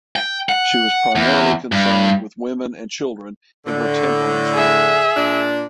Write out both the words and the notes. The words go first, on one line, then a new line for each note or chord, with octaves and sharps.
She was primarily concerned with women and children in her temperance work.
G5
F#5
E2
G2
A2 D3
G#4 E5
A#2 D4